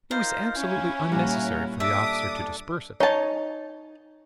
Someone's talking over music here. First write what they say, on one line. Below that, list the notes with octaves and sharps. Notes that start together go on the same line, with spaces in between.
It was absolutely unnecessary for the officer to disperse it.
D#4 F4 A#4 C5
C#4 E4 F5 G#5
A#2 G3 F5 F#5 A#5
D4 A4 E5 D6 D#6
D#4 C#5 A5